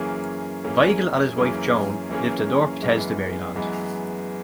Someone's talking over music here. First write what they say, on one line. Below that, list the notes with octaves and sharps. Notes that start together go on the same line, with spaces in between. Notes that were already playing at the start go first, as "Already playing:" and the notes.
Weigel and his wife Joan live in North Bethesda, Maryland.
Already playing: F#2 E3 A#3 C#4 G#4
F#2 E3 A#3 C#4 G#4
F#2 E3 A#3 C#4 G#4
F#2 E3 A#3 C#4 G#4
F#2 E3 G#3 B3
F#2 E3 G#3 B3